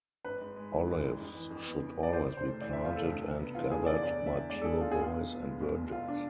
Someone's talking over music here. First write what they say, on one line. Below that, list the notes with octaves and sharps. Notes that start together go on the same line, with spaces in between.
Olives should always be planted and gathered by pure boys and virgins.
G#1 B4
G#2
G#3
E3
G#1
G#2
F2
E3
F2
B3
F2
E3
D5
C2 C5
C3
C5
A3
E3 D5
C2 E5
F4
C3 A4
D2
C3
B3
E3 F4
D2 G#4
C3 D5
E2 D5
D3
E5
E2
G#3 D5
A4
E2 G#4
D3 F4
G#4
B1 F4
B2
B3
G#3
B1
B2
F1 F4
D4